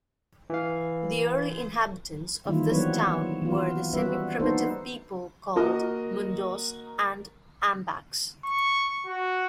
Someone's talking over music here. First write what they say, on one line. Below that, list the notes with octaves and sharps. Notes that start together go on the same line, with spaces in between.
The early inhabitants of this town were the semi-primitive people called "Mundos" and "Ambaks".
E3 F5
D#3 E3 G3 A#3 E4 F4
E3 F#3 B3 C4 B4 C#5
E3 B3 F4
G3 B3 C#4 F#4 B4 E5
A#3 B3 D4 D#4 A4 C5
A#3 F#4 A#4 D#5
C#6
F#4